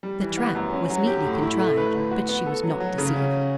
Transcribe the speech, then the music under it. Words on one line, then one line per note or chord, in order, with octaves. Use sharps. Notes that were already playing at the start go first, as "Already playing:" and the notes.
The trap was neatly contrived, but she was not deceived.
G3
E3
B3
F#2
C#4
F#3
G4
A2
E4
A3
B4
D3
F#4
B3
A4
F#3
F#3
C#3
C#4